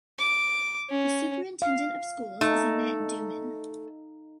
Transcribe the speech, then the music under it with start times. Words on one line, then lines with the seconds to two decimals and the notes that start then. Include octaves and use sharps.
The Superintendent of Schools is Annette Deuman.
0.19 D6
0.90 C#4
1.62 F5
2.41 A3 D#4